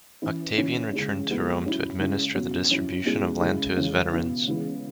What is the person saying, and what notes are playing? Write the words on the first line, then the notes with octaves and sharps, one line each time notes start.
Octavian returned to Rome to administer the distribution of land to his veterans.
E3 C#4 E4
C#3 E3 C#4 E4
C#3 G#3 C#4
B2 G#3 B3 E4
F#3 C#4 E4
C#3 G#3 C#4 E4
B2 F#3 C#4
F#3 C#4 E4
B2 G#3 C#4 E4
C#3 G#3 E4
C#3 E3 G#3 C#4
B2 B3 E4
C#3 E3 G#3 B3 E4